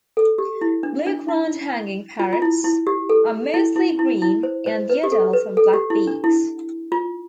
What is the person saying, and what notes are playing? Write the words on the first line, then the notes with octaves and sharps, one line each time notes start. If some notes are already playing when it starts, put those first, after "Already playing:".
Blue-crowned hanging parrots are mostly green and the adults have black beaks.
A4
G4
E4
D4
D4
E4
F4
F4
E4
E4
G4
A4
E4
E4
E4
E4
C5
C5
B4
G4
A4
B4
A4
G4
E4
D4
E4
F4